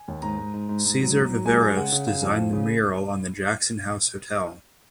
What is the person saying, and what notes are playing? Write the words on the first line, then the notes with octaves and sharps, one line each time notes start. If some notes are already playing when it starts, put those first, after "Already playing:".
Cesar Viveros designed the mural on The Jackson House Hotel.
Already playing: G#5
D#2
G#2 A#5
G#2
G#2
G#2
G#2
F#3
F#3
F#3
G#3 G#5
G#3
C#3 F#5
C#3
C#3 F5
F2
F3
C#3